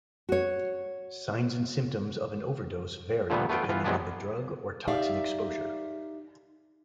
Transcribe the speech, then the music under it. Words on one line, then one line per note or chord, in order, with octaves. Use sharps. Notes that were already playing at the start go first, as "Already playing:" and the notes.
Signs and symptoms of an overdose vary depending on the drug or toxin exposure.
F#4 C#5
A#2 D3 F3 G3 A3 B3
A3 B3 F4 G5
E3 B3 F4
C3 F3 F#3 G#3 B3 D4
D#4 G4 D5 E5 F5